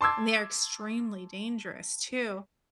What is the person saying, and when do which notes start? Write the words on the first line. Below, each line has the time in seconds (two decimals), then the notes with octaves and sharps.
and they are extremely dangerous too,
0.01 A5 C6 D6 E6 G#6